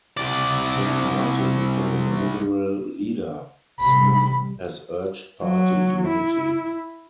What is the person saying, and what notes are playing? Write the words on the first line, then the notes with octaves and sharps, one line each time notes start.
Since Martin became Liberal leader, Smith has urged party unity.
C2 D5
A1 C3 G3 B5
F#3
E4